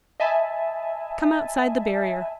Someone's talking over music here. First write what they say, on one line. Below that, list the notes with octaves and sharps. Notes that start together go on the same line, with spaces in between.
Come outside the barrier.
D#5 E5 G#5 A5 B5